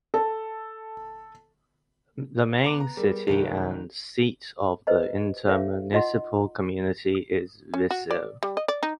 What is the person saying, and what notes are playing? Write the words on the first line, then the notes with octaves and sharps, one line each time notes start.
The main city and seat of the intermunicipal community is Viseu.
A4
B3 A#5 D6
A#5
G3 G#4 A#4
F1 C2 D#3 B4 G5
B4 C5 D#5 A#5
E4 A4 B4 C#5 E5 F5
D#4 F4 D#5 F#5 C6
C#4
F#4
D5
G3
D#5
D5
D#4